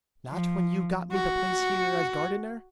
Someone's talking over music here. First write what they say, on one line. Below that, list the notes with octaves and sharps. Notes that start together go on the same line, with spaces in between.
"Not when you got me the place here as gardener?"
F3
F#4